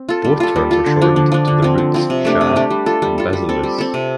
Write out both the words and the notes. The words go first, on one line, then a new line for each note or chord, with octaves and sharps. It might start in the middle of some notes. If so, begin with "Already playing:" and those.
Both terms were often shortened to their roots "shah" and "basileus".
Already playing: C4
F4 A4
G3
F4 A4
G3
F4 A4
D3
F3 D4
D3
F3 D4
D3
F3 C4
D3
F3 C4
C3
A3 D4 G4
C3
A3 D4 G4
G3
F4 A4
G3
F4 A4
G3
C4 A4
G3
C4 A4
C3